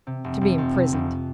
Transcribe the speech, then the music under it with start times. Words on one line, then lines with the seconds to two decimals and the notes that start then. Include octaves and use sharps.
To be imprisoned.
0.07 C3
0.24 F1
0.41 F1
0.58 F2
0.75 C3
0.92 F1